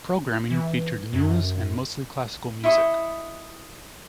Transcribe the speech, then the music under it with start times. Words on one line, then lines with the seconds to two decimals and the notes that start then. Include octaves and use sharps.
Programming featured news and mostly classical music.
0.50 E3
1.13 F#2
2.64 E4 D#5 C#6